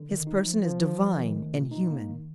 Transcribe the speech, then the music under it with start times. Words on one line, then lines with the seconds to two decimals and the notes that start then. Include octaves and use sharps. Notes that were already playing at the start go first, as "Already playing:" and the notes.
His person is divine and human.
Already playing: D3
0.09 D#3
0.27 D#4
0.45 F3
0.63 F3
0.82 F3
1.00 F3
1.17 D#3
1.36 A3
1.54 A#2
1.71 D#4
1.90 A#3
2.08 D#3